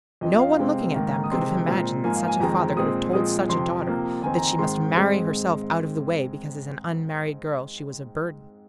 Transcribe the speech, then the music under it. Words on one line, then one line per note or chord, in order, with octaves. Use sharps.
No one looking at them could have imagined that such a father could have told such a daughter that she must marry herself out of the way because as an unmarried girl she was a burden.
F2 F3 C4 D#5
F5
C3 G#3 C4
G#2 D#3 A#3 A#5
D#6
C3 D#3 G#3 C4 C6
A#2 G#3 C4 A#5
G#2 F3 A#3 G#5
F5
G#5
F2 D#3 G#3 C4 A#5
A#2 G#3 C4 D#6
A#2 F3 G#3 C4 D#6
F2 C3 F3 C6
C3 F3 A#3
F2 D#3 C4 G#5
A#5
G#2 D#3 G#3 C4 C6
G#2 G#3 C4